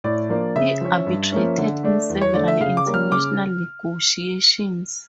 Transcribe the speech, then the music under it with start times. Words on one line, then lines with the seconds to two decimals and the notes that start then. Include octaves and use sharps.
He arbitrated in several international negotiations.
0.04 A2 D5
0.30 F3 A#3 D4
0.56 C#3 E5
0.81 F3 C#4
1.06 G2
1.32 F3 A#3 C#4
1.58 D3
1.83 A3 D4
2.09 E2
2.21 C#5
2.34 D3 A3 D5
2.48 E5
2.61 C#3 F5
2.77 D6
2.86 G3 A#3 C#4
2.94 F6
3.12 C#3 D6